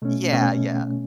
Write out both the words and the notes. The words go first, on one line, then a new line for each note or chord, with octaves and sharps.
Yeah, yeah.
B2 A3 C#4
B2 A3 C#4